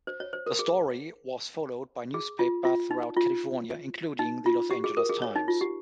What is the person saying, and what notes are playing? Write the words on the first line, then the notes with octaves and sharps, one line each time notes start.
The story was followed by newspapers throughout California, including the "Los Angeles Times".
C5
C#5
C5
A#4
G#4
G#4
F4
F4
D#4
F4
D#4
F4
G4
G#4
A#4
G#4
C#5
D#4
F4
G4